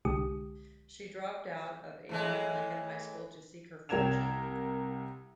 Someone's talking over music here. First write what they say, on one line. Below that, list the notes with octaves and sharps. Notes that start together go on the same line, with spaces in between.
She dropped out of Abraham Lincoln High School to seek her fortune.
C2 D3 G#3 G4 D#6
A2 E3 G#3
C2 A#4 G5 G#6 E7 F7